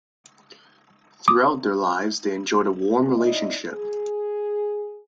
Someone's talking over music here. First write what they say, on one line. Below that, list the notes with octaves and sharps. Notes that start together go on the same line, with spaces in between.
Throughout their lives, they enjoyed a warm relationship.
D6 D#6
D#4 E4 D5 D#5
G#4